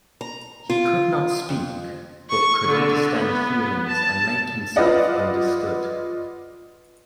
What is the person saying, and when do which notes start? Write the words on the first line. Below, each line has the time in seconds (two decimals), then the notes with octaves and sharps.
He could not speak, but could understand humans and make himself understood.
0.21 A#5
0.70 F4
1.49 F2
2.29 C#6
2.67 D3
3.15 B3
3.87 A5
4.76 F4 B4 D5 D#5 F#5